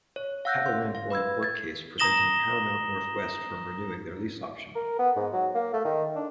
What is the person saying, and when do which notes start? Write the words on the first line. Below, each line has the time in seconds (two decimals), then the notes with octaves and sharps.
Haviland won a court case preventing Paramount Northwest from renewing their lease option.
0.16 C#5
0.45 F5 F#5 E6 F#6 G6 A#6
0.66 C6
0.95 F5
1.10 B4 B5 E6 G#6
1.43 G#6 A6
1.98 A#5 D#6 A#6 E7 F#7 G7
4.75 A#4
4.99 B3
5.16 G#2
5.32 F#3
5.55 A#3
5.73 A3
5.84 D#3
6.15 D4